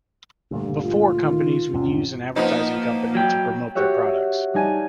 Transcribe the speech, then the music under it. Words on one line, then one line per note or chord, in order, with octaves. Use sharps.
Before companies would use an advertising company to promote their products.
D2 G2 A#2 A3
F4
D#3
E2 G#2 C3 C#4
F3 A#3 B3 D#4
F#3 G5
F#4 G4 C#5 E5 F#5
G3 D#4 G#5 A5 D#7